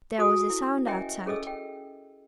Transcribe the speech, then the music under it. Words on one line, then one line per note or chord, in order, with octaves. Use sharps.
There was a sound outside.
F#4 A4 G#5 D#6
E4
C#4 A#4 D#5 E5 G5 G#5
C#4 G#4 A4 D#5 E6
G5